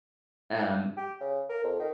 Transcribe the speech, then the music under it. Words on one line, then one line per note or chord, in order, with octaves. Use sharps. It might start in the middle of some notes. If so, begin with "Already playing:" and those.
t um,
G4
C#3
A#4
F2
D#3